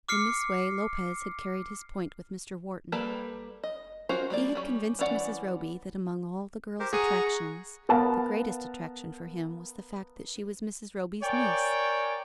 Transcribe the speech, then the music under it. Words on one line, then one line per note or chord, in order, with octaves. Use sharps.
In this way Lopez had carried his point with Mr. Wharton. He had convinced Mrs. Roby that among all the girl's attractions the greatest attraction for him was the fact that she was Mrs. Roby's niece.
D6 F6 C7 C#7
G3 A#3 A4 B4 A5
D#5
C#4 F4 F#4 A#4 C5
G3 A#3 D5
G3 C#4
E3 G3 C#4 D5 F#5
G4 A#4 C5
G#4 F#5 A#5 C#6 D#7
B3 A#4 B4 F5 F#5 A5
A#4 C#5 D5 G5 G#5